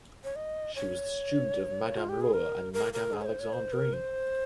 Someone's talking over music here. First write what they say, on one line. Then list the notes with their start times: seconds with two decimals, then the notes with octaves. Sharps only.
She was the student of Madame Laure and Madame Alexandrine.
0.24 C#5
0.36 D#5
0.76 C#5
1.97 F4
2.09 G4
2.21 G#4
2.34 A#4
2.73 A#4
2.93 A#4
3.14 G#4
3.21 C#5
3.26 C5
3.39 C#5
3.53 C5
3.73 A#4
3.93 C5